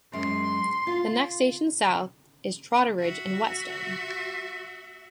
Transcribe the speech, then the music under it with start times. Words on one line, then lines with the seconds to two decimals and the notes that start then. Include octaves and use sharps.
The next station south is Totteridge and Whetstone.
0.13 F#2 G#3 C6
0.87 F4
3.00 F#4 E5